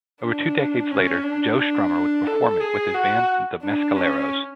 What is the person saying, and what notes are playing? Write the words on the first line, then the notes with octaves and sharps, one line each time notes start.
Over two decades later, Joe Strummer would perform it with his band the Mescaleros.
D4
C#4
D4
D4
A4
G#4
F#4
D4
C#4